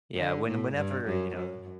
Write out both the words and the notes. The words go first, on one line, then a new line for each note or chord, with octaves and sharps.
Yeah, when whenever, you know
D3
A2
G2
F#2
F#2